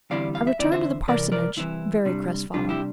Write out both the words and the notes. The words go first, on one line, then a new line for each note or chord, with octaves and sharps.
I returned to the parsonage, very crestfallen.
E2 D3 G3 C4 E4 D5 F5
F5
E5
E2 D3 G3 C4 E4 D5
C5 E5
C2 C3 E3 A#4 D5
A#4 D5
C2 C3 E3 E4
C3 G3 D4
C3 G3 D4 F4
E4 G4